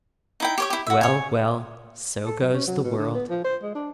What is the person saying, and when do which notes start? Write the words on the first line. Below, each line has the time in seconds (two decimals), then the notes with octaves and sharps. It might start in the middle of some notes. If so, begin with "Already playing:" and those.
Well, well! so goes the world!'
0.40 D#4 E4 G5
0.58 G4 C#5 D6
0.70 E4 G4
0.87 F#4 E5
1.01 C#5 G#5
2.25 A4
2.40 F#3
2.53 C#4
2.67 F#3
2.83 B2
2.98 D3
3.14 B3
3.29 F3
3.44 C5
3.62 G#3
3.75 D4